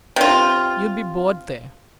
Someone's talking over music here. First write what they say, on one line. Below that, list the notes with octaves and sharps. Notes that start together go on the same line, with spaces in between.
You'll be bored there.
C3 F4